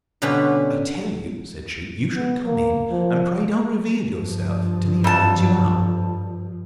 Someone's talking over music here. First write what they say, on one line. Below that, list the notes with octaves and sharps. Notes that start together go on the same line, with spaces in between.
I tell you, said she, you shall come in; and pray don't reveal yourself till he finds you out.
B2 D3 G3 C#4 G4 B4
B3
A#3
F3
G2 F3
F2 A5